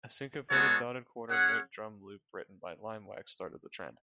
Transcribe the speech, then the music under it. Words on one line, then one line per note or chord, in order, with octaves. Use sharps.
A syncopated, dotted quarter note drum loop written by Limewax started the trend.
G#3 B3 F#4 A4 C#5
C#4 G#4 C#5 F#5